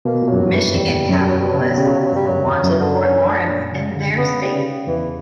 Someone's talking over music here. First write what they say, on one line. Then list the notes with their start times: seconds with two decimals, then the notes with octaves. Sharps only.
Michigan capitalists wanted Port Lawrence in "their" state.
0.05 B2 A#3
0.22 A#2
0.28 F#2 F#3
0.40 G2
0.52 E3
0.74 E2 G3
1.09 F#2 F#3
1.18 G3
1.28 F#3
1.38 G3
1.48 F#3
1.54 C#3
1.57 B2 G3
1.68 F#3
1.77 C#3 G3
1.88 F#3
1.97 G3
2.06 F#3
2.12 G2 G3
2.26 F#2 F#3
2.46 E2
2.64 F#2
2.70 E3
2.80 D3
3.04 C#4
3.27 D4
3.49 A#2
3.72 C#3
3.96 D3
4.18 C#3 B3
4.42 G3
4.53 C#3
4.87 E2 E3